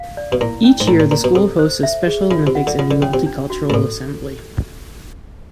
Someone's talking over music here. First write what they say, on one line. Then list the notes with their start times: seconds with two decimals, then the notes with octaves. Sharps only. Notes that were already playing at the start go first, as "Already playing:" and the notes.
Each year, the school hosts a Special Olympics and a Multicultural Assembly.
Already playing: F5
0.17 D5
0.32 B2
0.41 A#2 E4
0.64 C#4
0.80 G#2
0.88 A2 A#5
1.00 A#2
1.11 A#2 A#5
1.24 B2
1.35 C3 A4
1.59 C5
1.83 E5
2.07 G#4
2.31 C#3 F4
2.47 C3
2.55 F#5
2.67 D3
2.79 C#3 F4
2.91 D3
3.02 C#3 C#4
3.14 C3
3.26 D4
3.50 F#4
3.70 A2
3.74 A#2 A4